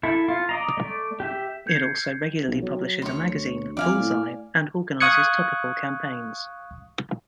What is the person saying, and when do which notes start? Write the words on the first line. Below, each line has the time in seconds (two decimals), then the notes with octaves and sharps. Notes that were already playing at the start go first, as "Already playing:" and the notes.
It also regularly publishes a magazine, "Bullseye", and organises topical campaigns.
0.03 E4 A4
0.29 F4
0.49 D5 D#5 A#5
0.77 A3 D5
1.20 G4 E5
1.67 G6 G#6 C7 C#7
2.48 B1
2.62 F#3
3.02 D2 C#5 C6
3.77 F2 D5 F5 G#5
3.99 A2
5.00 F5 C#6 D#6 F#6 G#6 C#7